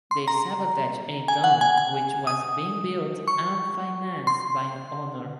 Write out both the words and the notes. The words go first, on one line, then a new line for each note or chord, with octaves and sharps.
They sabotage a dome which was being built and financed by Honor.
C6
A#5
G#5
F#5
G#5
G#5
D#6
C#6
C6